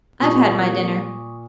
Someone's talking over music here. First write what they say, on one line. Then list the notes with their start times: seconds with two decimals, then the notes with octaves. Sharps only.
I've had my dinner.'
0.21 F2 A#2 G3 A#3 C#6 D#6